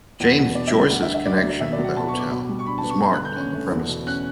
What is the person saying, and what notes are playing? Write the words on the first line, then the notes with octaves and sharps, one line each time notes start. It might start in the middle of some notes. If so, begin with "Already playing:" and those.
James Joyce's connection with the hotel is marked on the premises.
E2 F#5
B2
D4 D5
E5
G3
E5
D2 F#5
E5
D3
E5
D2 D5
E5
F#3
D5
B2 E5
D5
F#3
F#5
B2 A5
C#6
B3
D6
B2
G3
C#6
D4 B5
A5
B3
C#6
G2
F#6
D3
G6
C#4
A3
E2
B2
C#4 F#6